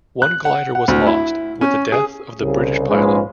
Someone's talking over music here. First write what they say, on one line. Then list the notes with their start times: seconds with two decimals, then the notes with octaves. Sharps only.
One glider was lost with the death of the British pilot.
0.22 F#6
0.45 F#5
0.75 F#5
0.88 D2
1.07 E4
1.61 C#4
1.92 G#4
2.41 C2 C#3
2.89 A#1 G#2 G#3 C#4 F4 B4